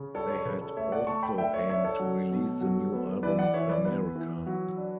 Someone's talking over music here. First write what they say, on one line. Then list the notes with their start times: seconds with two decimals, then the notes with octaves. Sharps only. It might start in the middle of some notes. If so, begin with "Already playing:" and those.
They had also aimed to release the new album in America.
Already playing: C#3
0.15 G3 A4 C#5
0.30 A4 C#5
0.45 C#3 B4
0.61 A4 C#5
0.77 A3 C#5 E5
0.92 D5 F#5
1.07 A3 A5 C#6
1.23 G5 B5
1.38 D4 E5 G5
1.54 C#5 E5
1.69 D4 C#5 E5
1.84 A4 C#5
2.00 F#3
2.31 B2
2.61 F#3
2.92 B3
3.23 E3 B4 D5
3.38 D5 F#5
3.54 E3 C#5 E5
3.69 B4 D5
3.85 B3 B4
4.16 E3
4.46 F#3
4.77 D4